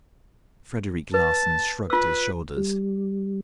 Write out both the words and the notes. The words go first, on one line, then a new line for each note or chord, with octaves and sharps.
Frederic Larsan shrugged his shoulders.
B4 A5
F4 B4 E6
G3